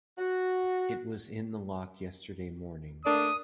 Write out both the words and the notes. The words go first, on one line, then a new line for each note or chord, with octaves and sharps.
It was in the lock yesterday morning.
F#4
A3 A#3 D4 D#6